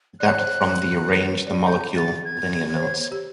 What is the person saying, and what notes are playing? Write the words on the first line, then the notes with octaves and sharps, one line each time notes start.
Adapted from the "Arrange the Molecule" liner notes.
D5 F#6
C#5
C5
C#5
B4
C#5
D5
G6
A6
G#6
C5
C#5
G4